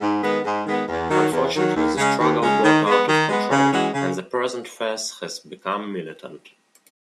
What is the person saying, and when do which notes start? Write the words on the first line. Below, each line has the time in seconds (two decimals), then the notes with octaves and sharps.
Unfortunately, the struggle got out of control, and the present phase has become militant.
0.01 G#2
0.22 D#3 G#3 B3
0.44 G#2
0.66 D#3 G#3 B3
0.89 E2
1.10 D#3 F#3
1.32 E2
1.54 D#3 F#3
1.75 D#2
1.97 C#3 G#3 C#4
2.19 D#2
2.41 C#3 G#3 C#4
2.63 D#3
2.85 G#3 B3
3.07 D#3
3.29 G#3 B3
3.50 C#3
3.72 E3 G#3 C#4 F#4
3.94 C#3